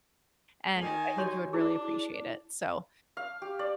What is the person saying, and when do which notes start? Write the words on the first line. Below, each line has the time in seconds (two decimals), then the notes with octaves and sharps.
and I think you would really appreciate it. So,
0.80 D#3 G#5
1.18 F#4 G4 C#5
1.53 D4 E4 G#4
3.17 F5
3.42 G4
3.59 D5